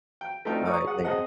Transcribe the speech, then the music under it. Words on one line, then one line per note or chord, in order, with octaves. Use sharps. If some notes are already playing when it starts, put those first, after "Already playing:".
Alright, later.
G5
A3 C4 D4 D#4 F4 G5
C#5 D5 A#5 C#6 D#6
G#4 F#5
C4 G#4 C5 D#5 F#5 A5